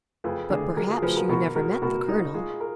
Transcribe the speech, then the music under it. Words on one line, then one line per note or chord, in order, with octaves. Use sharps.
"But, perhaps, you never met the colonel."
F2 G#4 B4
D3 G#4 B4
G#3 F#4 A#4
F4 G#4
F3 G#4 B4
F#4 A#4
B2 F#4 A#4
G#3 F#4 A#4
B2 F#4 A#4
D#4
G#3 F4 G#4
A#4